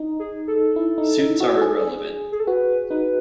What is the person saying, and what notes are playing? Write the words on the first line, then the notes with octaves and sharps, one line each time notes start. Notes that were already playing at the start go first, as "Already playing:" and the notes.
Suits are irrelevant.
Already playing: D#4
G#4
A4
E4
D#4
D#4
F#4
G#4
G#4
A4
F#4 B4
D#4 B4